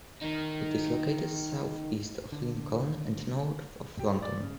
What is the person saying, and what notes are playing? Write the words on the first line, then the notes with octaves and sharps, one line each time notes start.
It is located south east of Lincoln and north of London.
D#3 D#4
D3
G4
D5
C#3